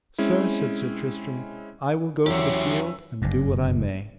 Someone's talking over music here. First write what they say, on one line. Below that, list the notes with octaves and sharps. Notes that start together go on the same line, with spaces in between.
Sir, said Sir Tristram, I will go to the field and do what I may.
G#3 C4 C#4 E4
E2 F#3 C#4 E4 G4 E5
F#1 G2